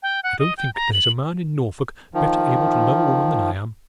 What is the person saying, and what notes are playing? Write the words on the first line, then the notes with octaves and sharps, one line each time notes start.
I don't think there's a man in Norfolk better able to love a woman than I am.
G5
F#5
D#5
G5
A#5
F#7
D#3 F3